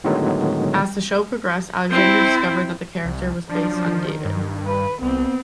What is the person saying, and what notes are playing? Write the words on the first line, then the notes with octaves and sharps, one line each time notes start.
As the show progressed, Alexander discovered that the character was based on David.
A2 D3 D#3 F#3 G#3 B3
C4 E4
C2
F3 F#3 D4
D#3
G2
B4
C2 B3 C4